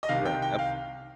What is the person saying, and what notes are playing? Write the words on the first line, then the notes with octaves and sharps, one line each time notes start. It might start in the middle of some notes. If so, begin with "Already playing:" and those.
Right, absolutely.
D#5
C2 C3 D#3 F5
G5
G5
F5